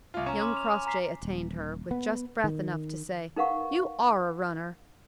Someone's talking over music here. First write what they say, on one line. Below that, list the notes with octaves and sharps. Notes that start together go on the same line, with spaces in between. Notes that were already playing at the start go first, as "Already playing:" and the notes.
Young Crossjay attained her, with just breath enough to say: "You are a runner!"
C2 F4
C#4 A#5 E7
C6 D6 F6
D6 F7
G#5
A#5 B6 C7
D#1
B3
D#3
D#4 A#4 B4 F5 F#5 C#6